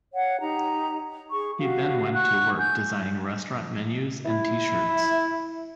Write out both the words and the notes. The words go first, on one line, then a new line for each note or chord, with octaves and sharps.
He then went to work designing restaurant menus and t-shirts.
C#5 F5 F#5
D#4 G4 A#5
G#4 C#6
F#4 G4 F5
F#5 C#6 F#6
G#5 G6
E4